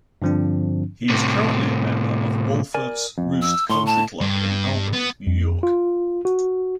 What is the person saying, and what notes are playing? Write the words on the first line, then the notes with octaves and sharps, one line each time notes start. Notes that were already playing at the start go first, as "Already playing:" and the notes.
He is currently a member of Wolferts Roost Country Club in Albany, New York.
G2 D3 F3 C4 D4
A2 C3
A#4 D5 G#5
F2
E6
A2 C#5 C6
A5
G2
B3
F2
F4
F#4